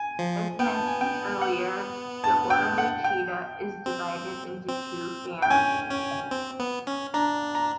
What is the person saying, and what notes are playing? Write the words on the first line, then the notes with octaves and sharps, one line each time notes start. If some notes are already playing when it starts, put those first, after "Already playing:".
As mentioned earlier, the order Lichida is divided into two families.
Already playing: G#5
F3
B3 G5
A5
G#5
G5
F#5
A5
G5
F#5
G5
C4
C4
G5
C#4 G#5
C#4
C4
B3
C#4
D4 A#5
A#5